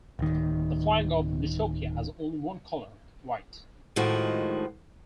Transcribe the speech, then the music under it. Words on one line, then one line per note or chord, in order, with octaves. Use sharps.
The flag of Nutopia has only one colour: white.
D1 D#3
A2 D#3 F3 G#3 F#4